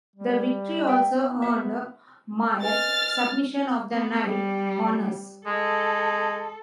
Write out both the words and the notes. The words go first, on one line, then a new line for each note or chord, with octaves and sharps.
The victory also earned Mir "Submission of the Night" honors.
G3
E5 G5
B3
E5 F#5
B4 D#5 G#5 F6 A6
B3
G3
G#3 A4